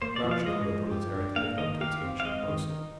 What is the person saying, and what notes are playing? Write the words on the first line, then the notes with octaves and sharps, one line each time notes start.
The proud Chicago proletariat lived up to its ancient boast.
A#3 C5
D5
F3
F5
G#3 D#5
F3
G4
D4
A#3 F5
D#3 D#5
G4 F5
C4
F5
G#3 D#5
D#3
D#4